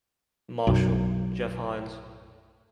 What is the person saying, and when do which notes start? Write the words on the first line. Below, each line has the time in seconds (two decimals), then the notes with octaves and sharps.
Marshall: Jeff Hines.
0.67 B1 F#2